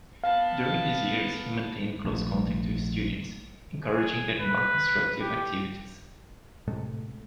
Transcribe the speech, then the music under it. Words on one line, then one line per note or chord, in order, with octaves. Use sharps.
During these years he maintained close contact with students, encouraging their more constructive activities.
B3 F5 A5
A#1 A3
G#4
B4
G4
A2 C3 G#3 A3